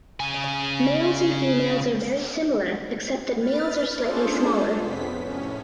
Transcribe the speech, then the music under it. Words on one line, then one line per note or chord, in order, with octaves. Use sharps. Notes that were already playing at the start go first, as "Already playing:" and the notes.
Males and females are very similar except that males are slightly smaller.
C#3 G#5
B4 F6 A6
C#4 D4 F4 G#4 A4 C5
F2 C3 B3 B6
A2 C#4